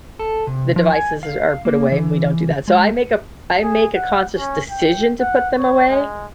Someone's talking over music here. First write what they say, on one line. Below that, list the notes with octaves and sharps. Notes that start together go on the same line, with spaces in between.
the devices are put away and we don't do that. So I make a I make a conscious decision to put them away.
A4
C3
F3
G#5
F5
A#3
E3
G#3
G#4
F#5
C#4
G5
F#5
C#5
G#3